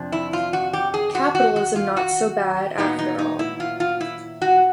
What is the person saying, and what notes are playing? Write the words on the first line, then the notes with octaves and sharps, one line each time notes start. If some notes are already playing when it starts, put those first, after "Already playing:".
Capitalism not so bad, after all.
Already playing: F2 C3 F3 D4
E4
F4
F#4
G4
G#4
F#4
F#4
F#4
F4
F#4
A#2 F#3 B3 D#4 E4
D#4
D#4
E4
F4
F4
E4
F#4